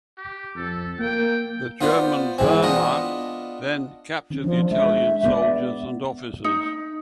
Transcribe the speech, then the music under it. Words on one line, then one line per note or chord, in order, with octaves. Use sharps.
The German Wehrmacht then captured the Italian soldiers and officers.
G4
F2 A4
A#3 G5
B3 F4 C5 D5
G#2 E3 C4
B3 D4 F4 D#5
D#3 C4 C#4
F3 D4
G#3 E5
B3 B4 D5
D#4